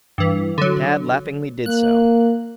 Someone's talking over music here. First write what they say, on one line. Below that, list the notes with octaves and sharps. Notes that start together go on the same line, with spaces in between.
Tad laughingly did so.
G2 E3
D3 F#3
A#3 F#6